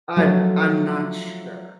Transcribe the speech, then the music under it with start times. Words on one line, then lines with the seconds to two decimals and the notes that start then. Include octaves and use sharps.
I'm I'm not sure.
0.16 F3 F#3 A3 F4 C#5